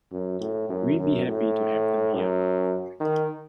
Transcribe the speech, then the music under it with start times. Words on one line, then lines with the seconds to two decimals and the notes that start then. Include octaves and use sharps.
We'd be happy to have them here.
0.12 F#2
0.40 A2
0.69 F#2
0.99 F#2
1.27 A2
2.14 F#2
3.00 D#3